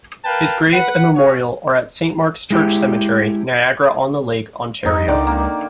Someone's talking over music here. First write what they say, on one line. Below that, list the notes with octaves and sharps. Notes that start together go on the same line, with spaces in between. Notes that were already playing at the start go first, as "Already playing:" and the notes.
His grave and memorial are at Saint Mark's Church Cemetery, Niagara-on-the-Lake, Ontario.
A#4 B4 F5 G5 A5
B4 F#5
C#4 F#4 G#4 C#5
G#3 E4 G4
F2 D#4
C#2 D3 D#3 D5
A#3